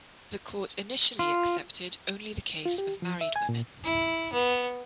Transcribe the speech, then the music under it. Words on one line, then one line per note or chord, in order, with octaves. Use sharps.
The court initially accepted only the case of married women.
F4
F4
G4
F3
E5
G#5
A#2
E4
B3